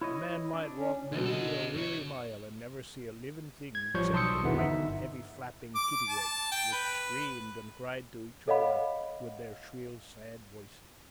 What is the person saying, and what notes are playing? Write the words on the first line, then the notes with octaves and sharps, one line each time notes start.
A man might walk many a weary mile and never see a living thing except the white, heavy-flapping kittiwakes, which screamed and cried to each other with their shrill, sad voices.
E4 C#5 D#5
D4
C#4
C#2 B2 D3
A4 D#5
F#2 C#5
G#6
A1 F3 G3 C#5 C#6 G6
B1 A5 C6 D#6 E6 C#7
E2 B2 D3 D#3 B3 E4
G1 D#4 E5
D6
A5
G5
B4
A4 C#5 D#5 F5 F#5 B5